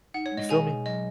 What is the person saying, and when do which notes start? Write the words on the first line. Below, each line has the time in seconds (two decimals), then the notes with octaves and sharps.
You feel me?
0.14 D#4 F#5
0.26 C#5
0.32 G#3
0.37 D#5
0.49 B2 G#4 G#5
0.68 B2
0.86 F#3 D#5